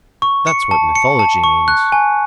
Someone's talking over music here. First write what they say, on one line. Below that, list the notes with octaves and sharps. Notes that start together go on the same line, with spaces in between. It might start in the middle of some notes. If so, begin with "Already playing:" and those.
That's what mythology means.
C#6
C#7
A5
C#7
A5
C#6
F#6
G#5